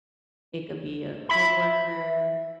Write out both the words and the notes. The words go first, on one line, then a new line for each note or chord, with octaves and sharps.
It could be a coworker,
E5 B5